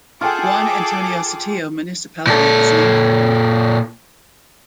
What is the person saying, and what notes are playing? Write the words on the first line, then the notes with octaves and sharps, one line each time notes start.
Juan Antonio Sotillo Municipality is named for him.
F4 G#4 A4 F#5 G5 D6
A#2 A4